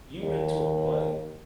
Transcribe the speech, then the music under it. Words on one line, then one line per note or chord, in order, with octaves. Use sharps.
you went to a play.
D#2